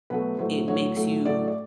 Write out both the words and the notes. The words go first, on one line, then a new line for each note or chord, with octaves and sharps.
it makes you
B2 F#3 A3 B4
A2 F#3 A3 C5
A2 F#3 A3 C#5
A2 F#3 A3
A2 F#3 A3 D5
D5